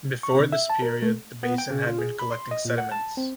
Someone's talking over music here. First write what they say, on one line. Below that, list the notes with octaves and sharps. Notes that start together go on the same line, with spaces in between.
Before this period the basin had been collecting sediments.
C#6
C3
E5
A5
A#4
A3
B3
G5
C#3
F4
G#4
B5
C6
D#5
A#2
F#5
A5
C4